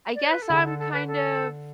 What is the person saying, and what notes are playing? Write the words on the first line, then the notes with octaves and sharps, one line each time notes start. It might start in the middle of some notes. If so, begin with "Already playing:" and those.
I guess I'm kind of
D5
C#5
B4
A4
D3 G#4
A4
A4
B4
A4